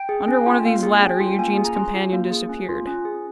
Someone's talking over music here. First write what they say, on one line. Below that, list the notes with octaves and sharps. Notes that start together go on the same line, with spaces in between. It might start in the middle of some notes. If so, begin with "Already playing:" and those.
Under one of these latter, Eugene's companion disappeared.
Already playing: G5
G#4
C#4
F4
A#3 F5
G#4
C#4 G5
F4
A#3 G#5
G#4
A#5
C#4 C6
F4
A#3
G#4
C#4
F4
C#4
G#4